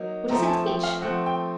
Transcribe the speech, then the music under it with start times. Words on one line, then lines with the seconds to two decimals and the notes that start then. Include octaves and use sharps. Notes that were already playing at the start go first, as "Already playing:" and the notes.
What does it teach?
Already playing: F#3 A#3 D#4
0.29 F3 A3 C4 A#5
0.42 G#5
0.48 A5
0.66 G5
0.83 F5
1.02 F3 A3 C4 F#5
1.26 G5